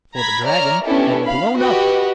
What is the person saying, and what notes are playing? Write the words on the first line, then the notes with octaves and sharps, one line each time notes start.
For the dragon had blown up.
A#5 B5 G#6 B6
C#5 D5 E5 A#5 F6
B3 C#4 D4 E4 G4 A4
F5 B5
F#4 G4 B4 D#5